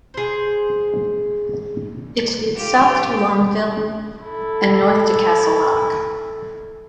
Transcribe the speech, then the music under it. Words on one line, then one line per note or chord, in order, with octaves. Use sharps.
It leads south to Longview and north to Castle Rock.
G#4 C5
F4 G4
E4 A4